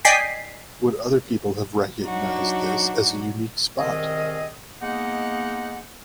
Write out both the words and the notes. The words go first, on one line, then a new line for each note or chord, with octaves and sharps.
Would other people have recognized this as a unique spot?
D5 D#5 G5 G#5 B6 C7
F#3 D4 D#4 F#4
C2 D#3 C4 G#4 D#5
G#3 A#3 B3 D#4 F#5